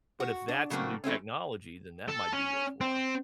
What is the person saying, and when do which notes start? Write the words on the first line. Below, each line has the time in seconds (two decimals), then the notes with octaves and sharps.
but if that's a new technology, then that might be worthwhile.
0.20 F#4
0.48 D4
0.70 C#3 F#3 A3 A#3 C4
1.04 E3 A3 C4 C#4
2.08 A4
2.33 C#4
2.81 C4